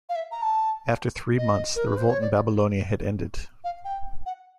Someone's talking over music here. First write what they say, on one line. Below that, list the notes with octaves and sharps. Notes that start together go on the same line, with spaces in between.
After three months the revolt in Babylonia had ended.
F5
E5
A#5
A5
D#5
A#4
B4
C5
C#5
D5
F5
G5
F#5